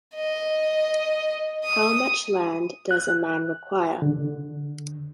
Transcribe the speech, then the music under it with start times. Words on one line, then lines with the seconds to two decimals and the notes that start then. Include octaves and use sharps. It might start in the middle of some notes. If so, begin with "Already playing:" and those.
How Much Land Does a Man Require?
0.15 D#5
1.64 D#6
2.91 F#6
4.02 D3